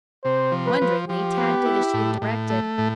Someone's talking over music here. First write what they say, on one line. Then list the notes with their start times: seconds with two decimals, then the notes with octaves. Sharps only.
Wonderingly, Tad did as she had directed.
0.24 C3 C5
0.52 F3
0.66 B4
0.81 F3
1.09 F3 G4
1.37 B3
1.66 E4
1.94 A2
2.22 A2
2.50 A3
2.78 A2